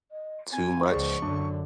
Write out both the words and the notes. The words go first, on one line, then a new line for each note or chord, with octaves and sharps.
too much.
D#5
C4 G#5
C#2 F3 G#4 C5 D5 C#6
F#2 D3 F#3 D4